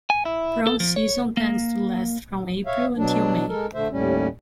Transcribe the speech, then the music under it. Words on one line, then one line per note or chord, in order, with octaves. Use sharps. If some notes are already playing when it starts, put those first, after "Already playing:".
Prom season tends to last from April until May.
G#5
E4
A4
F3
C#5
A#3
C#5 E5 F5
B2 F#3 D4
G#3 A4 A#4
D3 A3 C5 E5
D#2 A2 G3 C#4